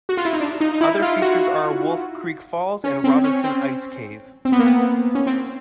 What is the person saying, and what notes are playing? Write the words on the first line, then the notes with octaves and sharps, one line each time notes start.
Other features are Wolf Creek Falls and Robinson Ice Cave.
F#4
F4
E4
D#4
D4
D#4
D#4
E4
F4
F#4
C#4
C4
C#4
C4
C4
B3
A#3
B3
C#4
C4